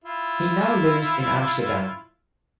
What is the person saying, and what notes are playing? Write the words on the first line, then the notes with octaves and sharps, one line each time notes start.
He now lives in Amsterdam.
E4 F4